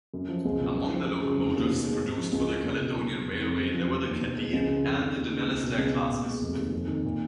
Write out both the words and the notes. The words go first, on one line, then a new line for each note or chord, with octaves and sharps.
Among the locomotives produced for the Caledonian Railway were the "Cardean" and "Dunalastair" Classes.
F#2
F3
C#2
B2
F#2
F3
F#2
C#3
F1
D#2
B2
G#3
G#2
F3
C#2
C#3
C#2
B2
B1
B2
F1
F2
F#2
F3
F1
D#2
B2
G#3
C#2
C#3
F2
D#3
D#2
C#3
C#2
B2
C#2
B2
A#2
G#3
F1
D#2
F2
D#3
A#2